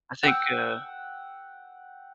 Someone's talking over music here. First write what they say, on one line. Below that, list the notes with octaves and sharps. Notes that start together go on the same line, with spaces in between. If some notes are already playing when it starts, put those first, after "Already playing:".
I think, uh
F#5 G5 E6